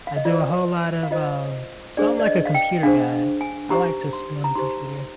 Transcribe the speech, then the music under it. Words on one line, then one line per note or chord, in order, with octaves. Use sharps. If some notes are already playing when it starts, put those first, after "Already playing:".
I do a whole lot of, um so I'm, like, a computer guy. I like to sit on the computer.
F5
D#5
F4 C5 D5
F5
F4 C5 D#5
D4 G#4 C5 D5
D5
D#5
F5
G5
D4 G#4 C5 F5
G#5
D#4 G4 C5 A#5
C6
A#5
D#4 G4 C5 C6